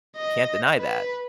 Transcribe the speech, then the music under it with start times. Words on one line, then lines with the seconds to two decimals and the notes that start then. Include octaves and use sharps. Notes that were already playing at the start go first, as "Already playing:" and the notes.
Can't deny that,
0.17 D#5
0.79 B4